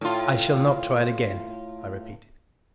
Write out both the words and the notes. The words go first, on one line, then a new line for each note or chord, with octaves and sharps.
"I shall not try it again," I repeated.
A2 F4